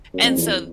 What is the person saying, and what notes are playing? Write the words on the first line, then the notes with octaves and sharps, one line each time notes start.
and so
F#2
F2
E2